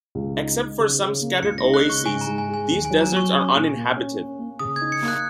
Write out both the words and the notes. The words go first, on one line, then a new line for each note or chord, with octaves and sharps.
Except for some scattered oases, these deserts are uninhabited.
C#2
D#4
D#4
C#3
C#3
A#3
C#2 C#7
A#6
D#4
F#6
C#3
C#6
G#2 G#5
A#5
G#2
G#5
G#3
G#5
D#2
G#5
F#3
A#5
F#3 C#6
C#4
A#2
A#3
C#4
C#4
A#3
C#3 D#6
G#6
D#4
C#7
A#3
F#6